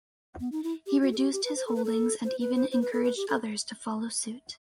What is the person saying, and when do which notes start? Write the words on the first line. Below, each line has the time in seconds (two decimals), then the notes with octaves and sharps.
He reduced his holdings and even encouraged others to follow suit.
0.40 B3
0.52 D#4
0.64 E4
0.87 G4
1.02 F#4
1.13 A4
1.18 G4
1.33 G4
1.45 B4
1.56 C5
1.67 A4
1.76 B4
1.85 A4
2.25 C5
2.41 B4
2.56 C5
2.72 C5
2.82 B4
2.93 A4
3.04 B4
3.17 G4
3.29 A4